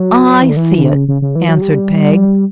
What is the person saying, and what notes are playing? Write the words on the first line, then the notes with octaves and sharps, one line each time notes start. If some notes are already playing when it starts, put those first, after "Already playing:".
'I see it,' answered Peg.
Already playing: F#3
E3
D3
E3
D3
C#3
C#3
C#3
E3
F#3
G3